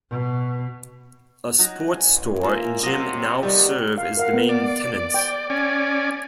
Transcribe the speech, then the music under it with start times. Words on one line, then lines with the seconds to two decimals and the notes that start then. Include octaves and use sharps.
A sports store and gym now serve as the main tenants.
0.10 B2
1.59 F#3 D#4 F#6
1.91 A1 G#5
2.43 A#3 F4 E5
2.83 C3 F#3 A#3 D#5 E6
3.43 D#3 G3 B3 G4 D5
3.98 F5
4.17 A#4 F5 F#5
4.34 B3
4.49 D5
5.14 G5
5.50 C#4 D5 G#5